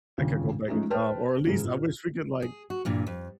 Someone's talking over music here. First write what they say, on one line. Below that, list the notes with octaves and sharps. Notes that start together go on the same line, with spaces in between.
I could go back in time, or at least I wish we could, like
G1 D#2 A#2 C#3
F3 G#3 A3 C#4 D#4
B4 C5 G5 A5 F6
F#1 G#2 G#4
A#2
G#4
F#4
G2 A#2 E3
F2